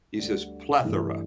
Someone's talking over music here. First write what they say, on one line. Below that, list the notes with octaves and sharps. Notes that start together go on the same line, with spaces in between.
He says "Plethora."
D2 D3 G3
G2 E3 A3 D4